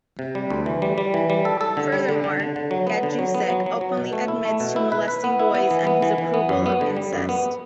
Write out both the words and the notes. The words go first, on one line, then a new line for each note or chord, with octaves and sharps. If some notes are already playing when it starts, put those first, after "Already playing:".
Furthermore, Gajdusek openly admits to molesting boys and his approval of incest.
C3
G3
D2
E3
G3
G3
E3
G3
A4
A4
D3
G3
D3
D3
D3
D3
F#3
B3
D3
F#3
B3
F#3
F#3
F#3
B2
A3
E4
A3
B2
E4
B4
B4
B3
E4
B3
E3
B3
E3
E3
B3
F#2
B3
D3
G3
F#2
B3